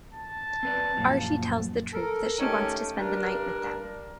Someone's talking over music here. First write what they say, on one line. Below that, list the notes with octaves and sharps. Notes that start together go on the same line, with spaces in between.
Arshi tells the troupe that she wants to spend the night with them.
A5
C4 B4 D5
F#2 A#2 F3
A4 A#4
D#3 A3 C#4 G4 A4 C#5
G2 D4 A#4